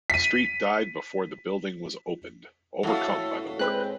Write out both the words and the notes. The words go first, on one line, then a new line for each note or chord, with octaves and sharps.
Street died before the building was opened, overcome by the work.
B6 D#7
F#2 A2 E4 F#4 A4 F5
G#3 C4 B4 G5 F#6